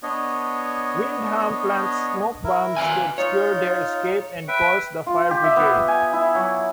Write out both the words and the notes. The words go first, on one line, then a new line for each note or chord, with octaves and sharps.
Windham plants smoke bombs to obscure their escape and calls the fire brigade.
B3 D4 C#5 D#5
E4 A#4
B4 F5 G#5
D#4 F4 C#5
B4 E5 G5
F4
G4
E5
B3
G#5
E4
F#3